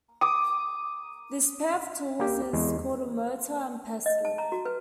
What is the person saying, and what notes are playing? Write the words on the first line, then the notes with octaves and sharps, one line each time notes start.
This pair of tools is called a mortar and pestle.
D6 D#6
A#3 G4
E2 G#3
D#5
A5
A#5
F#4
B4